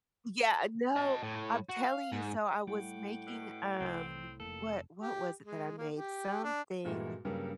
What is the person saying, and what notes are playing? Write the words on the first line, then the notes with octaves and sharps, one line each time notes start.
Yeah, no, I'm telling you, so, I was making, um what what was it that I made? Something
D#5 A5
A2
F#4
F5
G#2
A2 G3 F#5 G5 D6
B2
C2 C4
F1 A#3 A4
G4
G#3
A#3
G4
D4
G2 A#2 G#3 A3 F#4
G2 C#3 F#3 G3 A#3